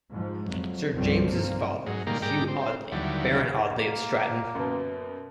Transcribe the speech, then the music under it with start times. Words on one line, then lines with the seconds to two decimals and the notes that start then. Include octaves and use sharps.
Sir James's father was Hugh Audley Baron Audley of Stratton.
0.12 G#2 F3
0.45 F2 F#3
0.93 C2 G2 C#3 F3 G3 C4
1.28 B1 G2 A#3 C4
1.86 G#2 F#3
2.07 A#2 D#3 G3 A#3
2.22 G#2 G3 G4 A#5 D6
2.48 C4
2.92 D#2 D3 E3 F#3 G3
3.74 A#3
4.55 F#2 B2